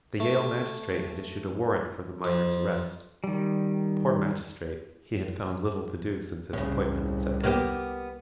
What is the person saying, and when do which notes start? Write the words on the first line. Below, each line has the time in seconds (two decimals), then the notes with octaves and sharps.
The Yale magistrate had issued a warrant for the miner's arrest--poor magistrate, he had found little to do since his appointment in September!
0.20 A3
2.24 F2
3.24 D#3 G3
6.53 C2 A2 C#3
7.43 A#3 B3 G4